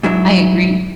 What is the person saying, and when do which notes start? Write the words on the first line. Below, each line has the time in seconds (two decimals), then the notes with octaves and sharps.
I agree,
0.03 G#2 F#3 D4 E4